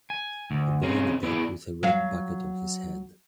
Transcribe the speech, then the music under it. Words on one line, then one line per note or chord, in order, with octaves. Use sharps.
A boy on a deck with a red bucket on his head.
G#5
D2
C4 C#4 D#4 G#4
B3 E4 G#4 D5
F#3 F5